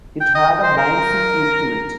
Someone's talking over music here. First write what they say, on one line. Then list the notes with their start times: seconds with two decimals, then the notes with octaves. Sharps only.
It had a bouncy feel to it.
0.21 G5
0.35 D#5
0.63 C5
0.77 A#4